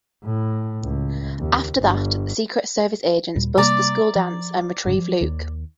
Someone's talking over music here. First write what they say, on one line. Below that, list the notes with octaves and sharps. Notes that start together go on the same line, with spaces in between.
After that, Secret Service agents bust the school dance and retrieve Luke.
A2
C#2
D#2
G1
D#2 A#2 G3
C3 G3 A#3 D5 A#5
F3
F#1 G2 C#3
F3
D#2 D#3